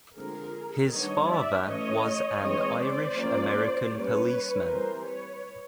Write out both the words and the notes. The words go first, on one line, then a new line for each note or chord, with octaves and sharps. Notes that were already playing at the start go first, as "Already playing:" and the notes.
His father was an Irish American policeman.
D3 F3 G#3 C4 G#4 A#4
D#3 G3 B3 D4 C#5 D#5
D5 E5
E3 A3 C#4 C#5 D#5
E3 G#3 C4 C#5 D#5
C5 D5
F3 A#3 C#4
G3 A#3 C#4 B4 C#5
E3 G3 C4 A#4 C5
B4 C#5